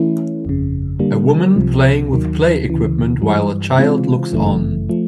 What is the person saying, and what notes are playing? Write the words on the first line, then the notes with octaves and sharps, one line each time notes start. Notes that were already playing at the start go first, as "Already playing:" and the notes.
A woman playing with play equipment while a child looks on.
Already playing: E3 A3 C#4 E4
G1 F2 C#3
D3 G3 A#3
C2 C3 F3
D#2 D#3 F#3
D2 C#3 E3
G2 E3 G3
C#3 E3 G#3 C4 F4
G1 F#2 C#3 E3 A3
F3 A3